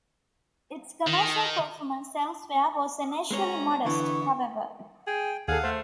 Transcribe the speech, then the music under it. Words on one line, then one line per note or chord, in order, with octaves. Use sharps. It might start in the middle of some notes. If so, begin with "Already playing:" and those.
Its commercial performance elsewhere was initially modest, however.
D#3
G#3 C4 C#4 C#5 A#5
D3 E3 B3 C#6
G#4 G5
D#2 G#4 A4 F5 F#5
A3 C5